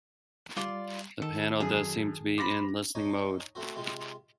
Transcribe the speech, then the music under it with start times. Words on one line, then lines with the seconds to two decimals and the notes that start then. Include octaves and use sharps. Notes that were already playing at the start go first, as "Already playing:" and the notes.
The panel does seem to be in listening mode.
0.57 G3 F4 D5
1.22 D#3 A4
1.60 F#2 G#4
2.38 C5 B5 D6 A6 A#6
2.95 D4 D#4 C#5 D#5
3.55 A3 C4 F#4
3.76 C3 G#3 F4